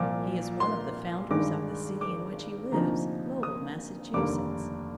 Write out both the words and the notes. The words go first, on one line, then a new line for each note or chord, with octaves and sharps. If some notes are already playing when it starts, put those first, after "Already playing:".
He is one of the founders of the city in which he lives, Lowell, Massachusetts.
Already playing: C2 A#2 F3 D6
C6
G#1 G2 D#3 G#3 D6
D6
D2 C3 F3 A#3 D#4 A#5
D#6
F1 D#2 D3 G3 A#3 D6